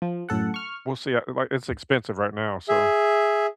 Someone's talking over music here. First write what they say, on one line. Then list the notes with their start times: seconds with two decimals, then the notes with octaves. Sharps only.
we'll see, I like, it's expensive right now, so
0.02 F3
0.29 F#2 A2 A4 F#5
0.54 C#6 F6
2.69 G#4 E5